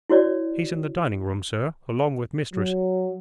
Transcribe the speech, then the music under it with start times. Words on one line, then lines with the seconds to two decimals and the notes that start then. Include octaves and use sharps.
'He's in the dining-room, sir, along with mistress.
0.10 E4 F#4 C#5 D5
2.53 F#3